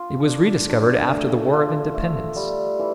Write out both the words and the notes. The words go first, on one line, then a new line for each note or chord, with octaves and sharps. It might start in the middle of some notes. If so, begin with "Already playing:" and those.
It was rediscovered after the War of Independence.
Already playing: F4
D4
D4
A3
F4
A3
G3
E3